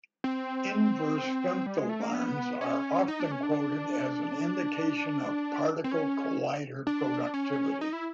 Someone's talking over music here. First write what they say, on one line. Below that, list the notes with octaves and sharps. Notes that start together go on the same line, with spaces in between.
Inverse femtobarns are often quoted as an indication of particle collider productivity.
C4
G3
G#3
A3
A#3
B3
C#4
D#4
D4
C#4
D4
C4
C#4
D4
C#4
D#4
E4